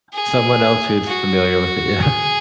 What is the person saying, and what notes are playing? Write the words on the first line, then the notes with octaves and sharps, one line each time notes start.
Someone else who's familiar with it. yeah.
G#4
F#4
G#4